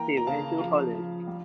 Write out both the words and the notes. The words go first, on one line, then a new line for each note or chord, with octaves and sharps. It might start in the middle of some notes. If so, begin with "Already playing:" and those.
He went to Holland.
Already playing: E3 A#3 G5 A#5
A#5
C#3 F5 A5
F3 F5 A5
F3
G3